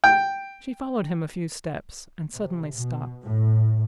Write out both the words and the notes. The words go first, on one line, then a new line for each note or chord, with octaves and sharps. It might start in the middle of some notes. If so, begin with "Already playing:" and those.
She followed him a few steps, and suddenly stopped.
G5
C3
B2
A2